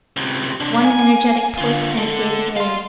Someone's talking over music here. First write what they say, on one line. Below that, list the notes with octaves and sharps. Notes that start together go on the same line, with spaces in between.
One energetic twist and it gave way.
C#2 C3
C3 D4
G#5
D3 F4
D3 A4
F5 C6